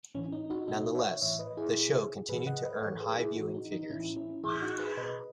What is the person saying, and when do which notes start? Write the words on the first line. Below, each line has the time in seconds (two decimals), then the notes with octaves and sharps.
Nonetheless, the show continued to earn high viewing figures.
0.15 A2 E3 C#4
0.32 D#4
0.50 D#4 F#4
0.68 B2 D#4 F#4
0.95 C#5 E5
1.22 A2 E3 C#5 E5
1.39 B4 D#5
1.57 E4 G#4
1.75 B2
2.29 A2 E3 G#4 B4
2.47 D#5 F#5
2.65 B4 D#5
2.82 A2 E3 A4 C#5
3.00 G#4 B4
3.19 E4 G#4
3.36 A2 E3 D#4 F#4
3.54 D#4
3.72 D#4
3.90 A2 E3 C#4 E4
4.16 C#4 E4
4.43 A2 E3 E4 G#4
4.62 D#4 F#4
4.79 G#4 B4
4.97 B2 B4 D#5